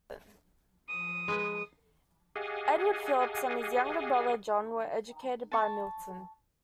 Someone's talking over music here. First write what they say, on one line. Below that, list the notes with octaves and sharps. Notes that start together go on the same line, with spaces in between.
Edward Phillips and his younger brother, John, were educated by Milton.
F3 D#6
G#3 B4
G4 G#4 D#5 F5 F#5 G#5
A5 C#6